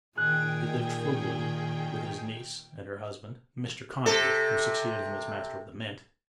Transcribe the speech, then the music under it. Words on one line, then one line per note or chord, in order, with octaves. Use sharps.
He lived frugally with his niece and her husband, Mr. Conduit, who succeeded him as Master of the Mint.
A#2 D#3 G#4 G5 F#6
C3 A4